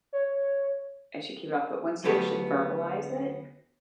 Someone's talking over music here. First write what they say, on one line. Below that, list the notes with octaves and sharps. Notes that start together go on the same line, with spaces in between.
I should keep it up, but once you actually verbalize it,
C#5
D2 F#3 A3 B3 G4 B4